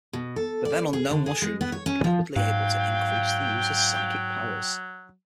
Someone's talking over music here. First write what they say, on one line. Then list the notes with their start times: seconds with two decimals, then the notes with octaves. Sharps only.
The then-unknown mushrooms were purportedly able to increase the user's psychic powers.
0.13 B2
0.36 A4
0.65 D5
0.93 G#4
1.11 D3
1.26 G#4
1.42 G#3
1.61 B3
1.72 C#5
1.86 C#4
2.04 F3
2.36 G#2 F#3 F5 G5